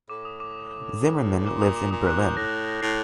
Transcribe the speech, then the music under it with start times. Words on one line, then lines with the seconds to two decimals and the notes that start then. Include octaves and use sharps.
Zimmermann lives in Berlin.
0.09 A2 D6
0.25 D#6
0.40 D6
1.46 A#2 D6
1.61 D#6
1.76 D6
1.91 A#2 D#6
2.06 F#6
2.21 G6
2.37 A2 A#6
2.82 A2 C7